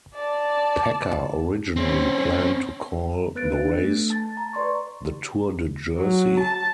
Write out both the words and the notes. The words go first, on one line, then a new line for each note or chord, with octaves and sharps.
Packer originally planned to call the race the Tour de Jersey.
D5 A5
C4 C#4
B3 B4 F#6 A6 D7
D4
A3
A5 A6
A#5
B4 D5 C6 C#6
F#3
A5